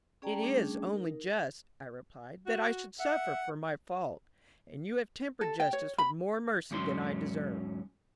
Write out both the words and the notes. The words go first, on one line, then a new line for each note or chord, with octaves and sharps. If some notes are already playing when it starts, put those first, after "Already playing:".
"It is only just," I replied, "that I should suffer for my fault, and you have tempered justice with more mercy than I deserve."
C#4 G#4 D5 G5 A5 A#5
G3 A3 C#4 D4 G#4
D#4 A#4
F#4
E5 F#5
A4
G5
C#5
B5
E2 G#2 F#3 C#4 C6